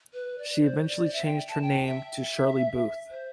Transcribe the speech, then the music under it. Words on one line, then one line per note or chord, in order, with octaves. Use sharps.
She eventually changed her name to Shirley Booth.
B4
D5
C5
D5
E5
G5
A5
G5
E5
C5